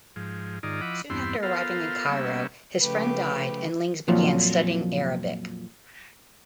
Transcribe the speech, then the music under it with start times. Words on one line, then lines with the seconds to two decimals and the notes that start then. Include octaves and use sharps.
Soon after arriving in Cairo, his friend died and Lings began studying Arabic.
0.16 G#2 F3
0.63 G#2 D#3 D#4 F4 D5
0.81 F3 E4 D#5 F#5 B5 D6
1.10 E2 G2 B3 C4 E4 C6
1.43 B3 F4 A4 A#4 C5 F5
2.09 G3 A#3 B3 C#4 E5
2.82 C#3 F3 A3 G4 B4
4.08 F2 A#2 F3 F#3